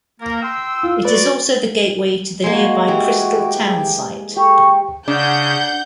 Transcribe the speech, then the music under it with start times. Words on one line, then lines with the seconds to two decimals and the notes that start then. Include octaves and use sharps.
It is also the gateway to the nearby Crystal townsite.
0.20 A#3 A#4
0.42 G5 C6 E6
0.83 F4
1.05 F#4 B4 D5
2.44 G#3 A#3 F#4
2.88 E3 G4
3.68 G#4
4.36 G4 A4 C#6
5.08 C#3 D4 F#5 G6